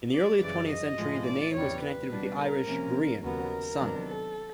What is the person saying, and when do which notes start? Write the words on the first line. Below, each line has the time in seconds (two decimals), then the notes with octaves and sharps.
In the early twentieth century, the name was connected with the Irish "grian", 'sun'.
0.14 D5
0.41 F#2 C#3 E3 D5
0.69 D#5
0.98 A2 F3 G#3
1.26 D5
1.54 E2 C#3 E3 G3 C#5
1.81 B4
2.09 B2 G3 B3 D4
2.38 A#4
2.66 C3 F3 A#3 C#4
3.22 D#2 C#3 F#3 B3 A#4
3.78 C3 D#3 F#3 B3 D4
4.06 A4